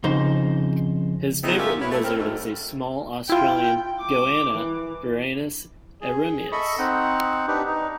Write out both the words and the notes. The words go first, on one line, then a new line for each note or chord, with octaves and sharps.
His favorite lizard is a small Australian goanna, "Varanus eremius".
F2 C#3 D#4 C5
F#3 B3 C4 D#4 E4 G#4
G#2 C#4 F4 G4 A#4 E5
E4 B4 C#5
A3
C4 A#4
D2 G#2 A3
E4 F4 G5
D6
E3
G#4
A4 D#5 E5 B5 C#6
C4 D#4 F#5
D4 D#4 G4 B4
D#4